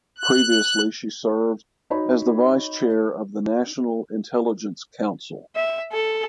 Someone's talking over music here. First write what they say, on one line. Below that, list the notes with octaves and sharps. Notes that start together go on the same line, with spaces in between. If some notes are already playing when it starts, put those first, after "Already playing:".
Previously she served as the Vice Chair of the National Intelligence Council.
F#6
D#4 F#4 C#5 B5
E5
A4